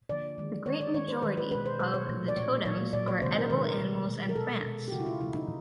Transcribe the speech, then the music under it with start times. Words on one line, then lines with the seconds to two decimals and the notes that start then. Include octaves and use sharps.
The great majority of the totems are edible animals and plants.
0.09 D3 F3 A#3 D5
0.38 D#3 G#3
0.66 D#3 G#3 C#5
0.81 D5
0.94 D#3 G#3 C#5
1.08 C5
1.22 D#3 G#3 B4
1.37 B4
1.51 B2 G#3 B4
1.66 C5
1.80 B2 G#3 C5
1.94 C#5
2.09 A#2 F3 A3
2.28 D5
2.37 A#2 F3 A3 C#5
2.65 A#2 F#3 A#3 C#5
2.93 A#2 F#3 A#3 D5
3.08 C#5
3.22 C3 D#3 G#3 C5
3.38 A#4
3.50 C3 D#3 G#3 B4
3.65 A#4
3.78 B2 G#3
4.07 B2 G#3
4.29 A#4
4.35 B2 G#3 A4
4.63 B2 G#3
4.88 G4
4.92 C#3 F3 A3 F#4
5.00 E4
5.06 F4
5.21 C#3 F3 A3 E4
5.35 D#4